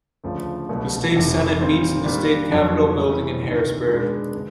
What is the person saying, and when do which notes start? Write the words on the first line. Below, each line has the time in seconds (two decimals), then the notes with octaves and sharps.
The State Senate meets in the State Capitol building in Harrisburg.
0.24 D2 C#3 F3 A3
0.69 C2 B2 F#3 A3
1.14 F1 F2 C3 D#3
1.60 A#2 G3 C4 D#4
2.05 D#3 G3 A#3 D4
2.52 F2 D3 F#3 A#3
2.97 A2 E3 G3
3.43 D2 C3 D#3
3.88 B2 G#3 B3 D4
4.35 D3